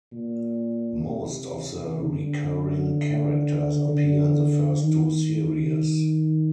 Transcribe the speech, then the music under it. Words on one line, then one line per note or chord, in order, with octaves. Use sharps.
Most of the recurring characters appear in the first two series.
A#2
C3
D3
D3
D#3